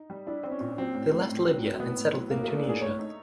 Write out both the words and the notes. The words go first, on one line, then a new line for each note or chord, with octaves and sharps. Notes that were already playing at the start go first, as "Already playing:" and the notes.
They left Libya and settled in Tunisia.
Already playing: D#4
G3
D4 E4
C4
C#4
A#2
F#3 C4
A2
A3
A2
F#3
A2
A3 B3
A2
F#3
A2 A#3
A3 A#3
D4
A2 G#4
A3 C#5
D#4